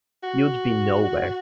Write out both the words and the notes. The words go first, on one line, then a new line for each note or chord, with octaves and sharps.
You’d be nowhere.
F#4